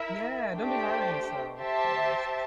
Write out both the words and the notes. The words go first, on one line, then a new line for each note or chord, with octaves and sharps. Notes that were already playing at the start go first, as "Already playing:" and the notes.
Yeah, don't be hard on yourself, yes.
Already playing: E4 A#4 E5
A3 D4 G4 C5 G5
G4 C5 E5 A5